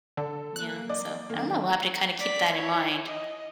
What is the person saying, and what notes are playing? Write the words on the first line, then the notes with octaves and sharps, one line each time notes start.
Yeah, so I don't know, we'll have to kinda keep that in mind.
D3 A4
F#3 A#3 F#6
D5 D#5
D#3 F#3 A3 A#3 D4
D5 B6
E4 C#5
D#5